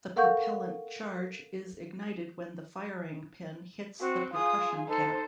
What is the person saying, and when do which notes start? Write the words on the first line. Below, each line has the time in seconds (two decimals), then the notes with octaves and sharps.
The propellant charge is ignited when the firing pin hits the percussion cap.
0.16 A4 A#4 F5 F#5 C#6 G6
4.00 C4 F#4
4.33 F4 G#4 D#6
4.88 D#4 A4 C5